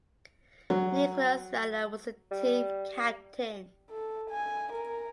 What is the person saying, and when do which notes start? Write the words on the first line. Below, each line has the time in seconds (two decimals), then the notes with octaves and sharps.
Nicholas Mehler was the team captain.
0.70 F#3
2.31 G3
3.90 A4
4.30 G#5
4.73 A#4